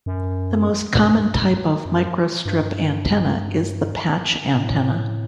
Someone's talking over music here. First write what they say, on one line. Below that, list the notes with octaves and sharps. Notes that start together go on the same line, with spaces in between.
The most common type of microstrip antenna is the patch antenna.
F#2
G2
F#2
G2
A2